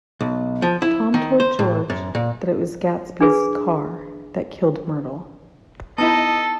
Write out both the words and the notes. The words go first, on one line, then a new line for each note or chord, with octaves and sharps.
Tom told George that it was Gatsby's car that killed Myrtle.
B1
F3
E4
D#3
C5
A2
F#2
A#2
D4 G#4 B4
B3 D#4 E4 A4 D#5 A5